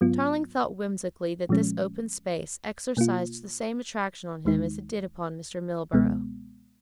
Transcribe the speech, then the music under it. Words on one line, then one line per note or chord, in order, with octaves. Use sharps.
Tarling thought whimsically that this open space exercised the same attraction on him as it did upon Mr. Milburgh.
G#2 F#3 B3 F4
A#2 F3 G#3 C#4
B2 A#3 F4
D#2 D#3 G#3 D#4
C#2 B2 G#3 B3